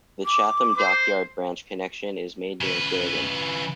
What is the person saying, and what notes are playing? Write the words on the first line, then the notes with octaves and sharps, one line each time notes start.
The Chatham Dockyard branch connection is made near Gillingham.
D6
C5
C#3 B4